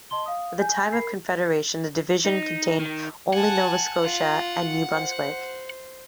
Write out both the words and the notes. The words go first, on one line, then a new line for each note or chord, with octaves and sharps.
At the time of confederation the division contained only Nova Scotia and New Brunswick.
D#5 A5 C6 G7
F5 D#6
G#5 G6
A#4 B5 C7
D#4
D#3
F#5 G#5 A5
F4
C5